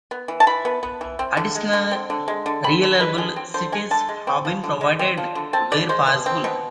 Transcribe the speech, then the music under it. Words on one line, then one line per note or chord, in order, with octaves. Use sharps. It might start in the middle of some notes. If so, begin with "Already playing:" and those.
Additional reliable cites have been provided where possible.
B3
E3
A5
E3 B5
B3
B3
E3
C4
D3
G#3
D3
C4
D3
G#3
D3
C4 B5
D3
G#3 B4
D3 G#4
C4
D3 C5
G#3 G#5
D3 A5
G#3
C4
F3
D3
G#3
C4
F3
D3
C4 A5
B2 D5
G#3 C5
B2
C4
B2